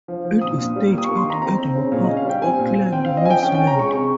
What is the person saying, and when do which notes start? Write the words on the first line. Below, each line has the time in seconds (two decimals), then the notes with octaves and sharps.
It is staged at Eden Park, Auckland, New Zealand.
0.08 F3
0.25 F3
0.42 A#2 D#6
0.58 A#2
0.76 G3
0.92 A#3
0.98 D#6
1.04 A#3 C#6
1.16 C6
1.25 D#3
1.30 A#5
1.42 C4 A#5
1.58 C4
1.75 C#3
1.92 A#2
2.04 D#5
2.09 C#4
2.17 F5
2.25 G3 G5
2.42 C4 G#5
2.59 A#2
2.76 C4
2.92 C4 G5
3.05 C4 F5
3.17 D#5
3.25 F3 G#5
3.30 G5
3.43 C#4 G5
3.54 C#4 G5
3.67 A#5
3.75 G#3 C#6
3.92 C3 C#6